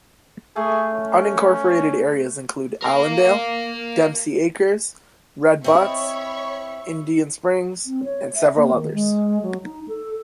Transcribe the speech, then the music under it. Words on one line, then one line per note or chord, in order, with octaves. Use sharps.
Unincorporated areas include Allendale, Dempsey Acres, Red Buttes, Indian Springs, and several others.
A3 G#4
C#4
A#4 F5
C4 E4 C#5 D#5 E5 B5 C#6
C4
C#5
E5
A#3
D#3
G#3
F#3
D#4
A4